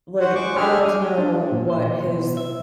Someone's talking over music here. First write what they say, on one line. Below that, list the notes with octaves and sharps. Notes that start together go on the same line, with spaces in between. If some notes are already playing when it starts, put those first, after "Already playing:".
Like, I would love to know what his
F#4 C5 F#5
G#3 C#6 D6
A3 D4 G4 G#4 E5 F6
D#5
G5
D4
A#2
C5
B2
E5